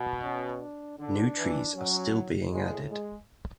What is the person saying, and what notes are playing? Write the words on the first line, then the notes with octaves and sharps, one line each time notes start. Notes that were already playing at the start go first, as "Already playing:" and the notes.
New trees are still being added.
Already playing: B2
C#4
D4
D3 D4
E3
F#3 C#4
A2 G#3
G#3